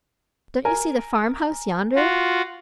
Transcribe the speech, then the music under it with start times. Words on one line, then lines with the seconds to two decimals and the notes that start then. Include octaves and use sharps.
Don't you see the farm-house yonder?
0.65 A#4 G#5
1.96 F4 F#4